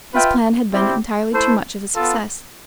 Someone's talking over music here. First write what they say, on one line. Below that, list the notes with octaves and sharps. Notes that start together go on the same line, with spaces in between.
His plan had been entirely too much of a success.
F4 B4 E5 G5
G3 C4 E4 G4
A3 E4 A4 C5
B3 F4 A4